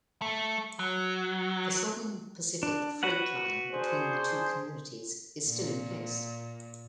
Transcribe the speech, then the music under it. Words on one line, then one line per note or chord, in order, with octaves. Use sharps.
The Southern Pacific freight line between the two communities is still in place.
A3
F#3
D4
F#4 B4 F#5
D4 G#4 C5
A#2